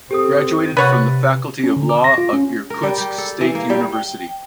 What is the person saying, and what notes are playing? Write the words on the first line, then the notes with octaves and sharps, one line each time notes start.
Graduated from the Faculty of Law of Irkutsk State University.
C4 G4 A4 D#6
C3 B4 C#5 F#5 F#6 A6 D#7
C#4
D3
D6
A#6
F4
C#4
A#4
G3
G4
A4
E3
A#3
G3
G5